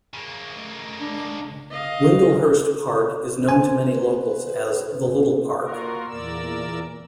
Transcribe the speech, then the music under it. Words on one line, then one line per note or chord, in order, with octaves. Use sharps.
"Windlehurst Park" is known to many locals as "the little park".
C#3 A#3
A3 D#5
D4
D#5 F5
B4 C5 G#5
A#3 F4 F#4 A#4
E2 A#2 A#4 D5 E6